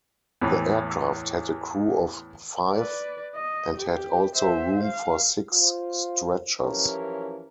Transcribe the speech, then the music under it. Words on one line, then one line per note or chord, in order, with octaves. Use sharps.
The aircraft had a crew of five and had also room for six stretchers.
E2 A2 E3
B4 D5
D#5
G4
C5 E5
F5
F4 C5
F#2 E3 F3 C#4 G4 A#4